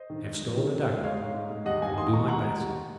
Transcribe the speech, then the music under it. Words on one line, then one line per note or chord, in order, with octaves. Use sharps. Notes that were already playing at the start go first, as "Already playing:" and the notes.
I have stolen a dagger--I will do my best!
Already playing: C5 D#5
D#3
G#3
F2
D#3
C3
G#3
G#3 C#5 F5
G#2
G#2
G#2
D#2 D#5 F#5
D#2 F5 G#5
D#3 C6 D#6
G#3 A#5 C#6
D#2 F#5 A#5
G#3
D#2